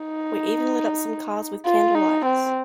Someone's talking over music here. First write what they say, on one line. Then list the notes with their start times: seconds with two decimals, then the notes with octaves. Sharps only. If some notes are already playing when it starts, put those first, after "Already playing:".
We even lit up some cars with candle lights.
Already playing: D#4
1.65 F4
1.95 D#4
2.26 C4